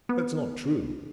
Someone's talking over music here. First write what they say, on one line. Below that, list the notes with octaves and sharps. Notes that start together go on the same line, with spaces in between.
That's not true.
B3